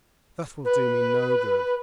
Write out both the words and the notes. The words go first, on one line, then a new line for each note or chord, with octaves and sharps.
"That will do me no good."
B4